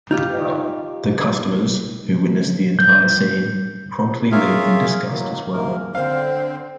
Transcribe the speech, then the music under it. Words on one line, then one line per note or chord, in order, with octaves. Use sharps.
The customers, who witness the entire scene, promptly leave in disgust as well.
D#4 F4 G4
G6
F4 G#4 A#4 C#5 E5 F5
A2 D#3 F#3 A#3
D2 G#2 C3 A#3 A#4
D3 C4 C5 F5